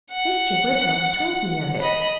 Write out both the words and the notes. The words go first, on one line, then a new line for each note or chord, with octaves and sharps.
Mr. Woodhouse told me of it.
F#5
D#5 B5